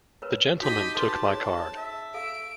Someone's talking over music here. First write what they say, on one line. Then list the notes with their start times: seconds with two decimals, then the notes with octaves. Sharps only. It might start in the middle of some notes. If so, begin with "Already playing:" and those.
The gentleman took my card.
0.22 A#4 B4 C#5
0.61 D#4 F#4 G4 D#5 B6
0.95 A4 B4 A5 C6
1.26 G#4 C5 C#5
1.77 E5
2.14 A4 F5 D7